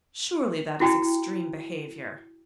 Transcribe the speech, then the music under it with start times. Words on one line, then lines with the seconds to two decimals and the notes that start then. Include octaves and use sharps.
Surely that is extreme behaviour.'
0.80 E4 F#4 G5 A#5